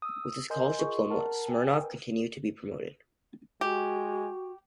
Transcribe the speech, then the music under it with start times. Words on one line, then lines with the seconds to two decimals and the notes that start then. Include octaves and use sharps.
With his college diploma, Smirnov continued to be promoted.
0.02 D#6 E6
0.50 A#4 D#5 G#5 C6 G6
0.79 F4 G#4 A#4 D#5 C6 C#6
1.10 A#4 F#5 A5
1.48 G5 G#5
1.81 A#4 B4
3.61 G#3 F#4 G4